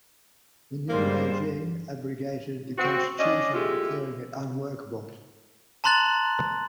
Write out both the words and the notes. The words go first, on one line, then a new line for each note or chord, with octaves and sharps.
The new regime abrogated the constitution, declaring it unworkable.
G2 G3 G#3 A#3 C5
C4 F#4
C#4 D4 D5 D#5
G#3 A3 E4 F4 G4
A5 A#5 C6 F#6 A6 F#7